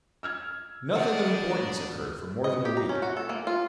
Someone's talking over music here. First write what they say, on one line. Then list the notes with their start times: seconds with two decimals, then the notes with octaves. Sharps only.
Nothing of importance occurred for more than a week.
0.23 E6 F6 G#6
0.95 B3 D4 D5 D#5 F#5 G5
2.44 D#5
2.65 G4
2.77 A#5
2.89 C#4
3.02 F#4
3.17 A4
3.29 A#3
3.47 F4